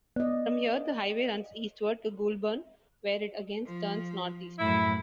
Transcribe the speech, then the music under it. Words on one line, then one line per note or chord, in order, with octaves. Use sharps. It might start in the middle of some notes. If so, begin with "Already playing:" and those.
From here the highway runs eastward, to Goulburn where it again turns northeast.
B3 D5 D#5
F3
F#2 A2 E4